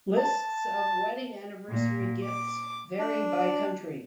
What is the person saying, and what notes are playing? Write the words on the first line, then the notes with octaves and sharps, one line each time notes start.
Lists of wedding anniversary gifts vary by country.
A5
A#2
D6
D4